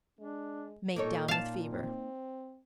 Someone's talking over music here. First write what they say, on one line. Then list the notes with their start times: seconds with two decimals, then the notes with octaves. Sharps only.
Mate down with fever.
0.19 G#3 D4
0.96 A#2 A#3 D#4 A4 C#5
1.28 F4 F5 A5
1.72 C4